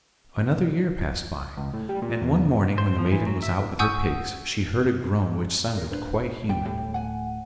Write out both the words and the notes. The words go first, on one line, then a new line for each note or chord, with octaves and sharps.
Another year passed by, and one morning when the maiden was out with her pigs she heard a groan which sounded quite human.
C#2
A2
G3
A#2
E2
C5
F3
E3
F#3
E5
F#5 G#5 C#6 D#6 E6 G6
F4 A#4
D#1 D4 B4 C5
B2 G3 G5
D1 A2 G4
F#5 G#5